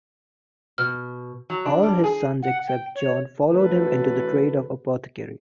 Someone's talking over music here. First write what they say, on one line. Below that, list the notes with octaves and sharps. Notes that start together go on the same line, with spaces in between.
All of his sons except John followed him into the trade of apothecary.
B2 F6
F#3
D4
G3
G#4
F#5
G5
C#5
F#2 E3 A3 F#4 A4 B4